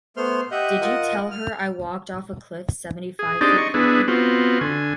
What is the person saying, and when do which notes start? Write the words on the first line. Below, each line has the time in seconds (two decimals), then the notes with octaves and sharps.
Did you tell her I walked off a cliff seventy-five feet high?
0.17 A3 B3 C5 C6 F6
0.51 G4 D#5 E5 F#5 G6
0.81 F4 A#4 D#5 F#5
1.31 F6
3.19 G#4
3.41 C4 D4 D#4 G4 G#4 D5
3.58 D#5 C#6
3.74 B3 D4 E4 G#4
4.08 B3 C4 F4 F#4
4.61 D3 G#5